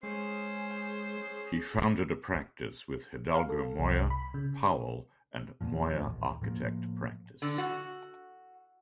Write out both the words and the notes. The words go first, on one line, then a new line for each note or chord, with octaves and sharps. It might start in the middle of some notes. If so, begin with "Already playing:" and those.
He founded a practice with Hidalgo Moya, Powell and Moya Architect Practice.
G#3 C#4 G#4 C5
F5
A4
C2
B5
C#3
E2 A#2 F3
E1 A1 D#2
A2 F3 A3 A#3
D3
F#4